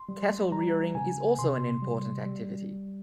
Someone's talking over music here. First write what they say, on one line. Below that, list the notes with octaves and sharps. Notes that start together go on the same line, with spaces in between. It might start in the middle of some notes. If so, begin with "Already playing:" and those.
Cattle rearing is also an important activity.
Already playing: C6
G3
G3 A#5
C#3 G#5
C3 C6
G3
G3